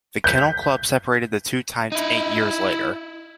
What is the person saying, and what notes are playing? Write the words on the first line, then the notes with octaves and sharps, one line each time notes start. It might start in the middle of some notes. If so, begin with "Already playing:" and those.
The Kennel Club separated the two types eight years later.
G6 B6
D#4 E4